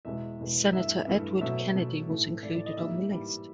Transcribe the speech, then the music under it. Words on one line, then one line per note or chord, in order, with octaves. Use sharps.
Senator Edward Kennedy was included on the list.
E2 B2 G#3 E5
E2 B2 G#3
G2 E3 A3 E5
G2 E3 A3
B2 F#3 A3 E5
B2 F#3 A3
A2 E3 A3
A2 E3 A3 D5
D5
D#5
G#2 E3 G3 A#3 E5
G#2 E3 G3 A#3